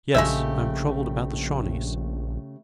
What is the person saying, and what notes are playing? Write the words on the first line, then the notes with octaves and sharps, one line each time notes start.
Yes, I am troubled about the Shawnees.
A#1 C#3 G#3 A3 G4 E5